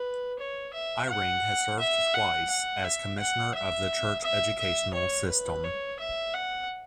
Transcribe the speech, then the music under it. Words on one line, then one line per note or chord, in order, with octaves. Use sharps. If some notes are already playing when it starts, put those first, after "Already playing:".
Eyring has served twice as Commissioner of the Church Educational System.
Already playing: B4
C#5
E5
F#5
E5
F#5
F#5
E5
F#5
E5
E5
E5
C#5
B4
C#5
E5
F#5